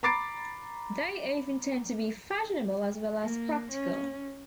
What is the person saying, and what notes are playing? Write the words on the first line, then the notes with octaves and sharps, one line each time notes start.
They often tend to be fashionable as well as practical.
A#5 B5 D6 A6 C7 D7
A#3
C#4